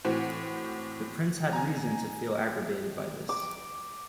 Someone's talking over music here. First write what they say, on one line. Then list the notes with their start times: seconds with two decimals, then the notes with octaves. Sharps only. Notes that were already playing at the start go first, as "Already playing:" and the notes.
The Prince had reason to feel aggrieved by this.
0.05 A2 E3 C4 F#4
1.53 G#5 A#5
3.29 D6